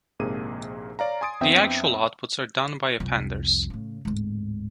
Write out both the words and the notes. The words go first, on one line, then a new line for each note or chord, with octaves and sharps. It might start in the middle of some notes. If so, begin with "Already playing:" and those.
The actual outputs are done by Appenders.
A#1 G#2 C3 A#3 G#4 D#7
C#5 D5 F5 A#5
G#5 C6 D#6 A6 D7
F2 B3 C4 D4 E5 G5
C2 F2
A2 C#3
D1 G#2